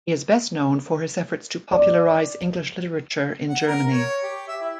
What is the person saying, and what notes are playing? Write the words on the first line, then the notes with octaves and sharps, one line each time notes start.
He is best known for his efforts to popularize English literature in Germany.
D5
F#5
A#4
C#5
G4
E5
E4